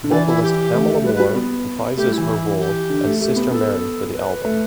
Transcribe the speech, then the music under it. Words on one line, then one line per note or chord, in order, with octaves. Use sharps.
Vocalist Pamela Moore reprises her role as Sister Mary for the album.
D3
E3 D5
E4
G4
A3
A3
G3 B4
B4
G3
B3
A3 G4
G3
E3 E4
G4
D3
A3
A3 G4
B3
B3 A4
B4
A3